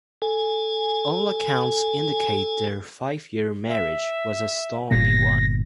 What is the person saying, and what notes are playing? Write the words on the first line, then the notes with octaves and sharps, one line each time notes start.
All accounts indicate their five-year marriage was a stormy one.
A4 G#5
E5
G1 A#2 A#3 A#6